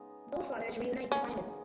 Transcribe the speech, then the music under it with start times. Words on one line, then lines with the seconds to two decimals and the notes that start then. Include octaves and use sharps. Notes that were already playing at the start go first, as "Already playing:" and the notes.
Both fathers reunite to find him.
Already playing: C#3 G#3 B3 D#4
0.32 C#3 G#3 B3 D#4
1.12 C#3 G#3 B3 C#4 D#4